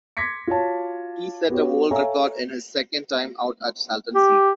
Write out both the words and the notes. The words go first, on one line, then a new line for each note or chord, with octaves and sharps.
He set a world record in his second time out at Salton Sea.
C6 D6 G#6 A#6 B6 C#7
F4 F#4 C#5 A5
B3 F#4 G4 C#5
A4 C#5 E5 F5 G#5 A#5
G4